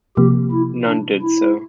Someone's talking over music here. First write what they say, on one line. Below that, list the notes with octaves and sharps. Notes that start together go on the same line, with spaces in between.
None did so.
C3 F3 A#3 G4
E4
D4
E4